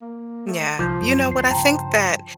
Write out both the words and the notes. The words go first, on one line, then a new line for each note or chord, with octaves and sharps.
Yeah. You know what, I think that
A#3
A3
C2 F3 C5 D6 G6
F#2
D2 C7
G2 C#3 G5 A5 A#5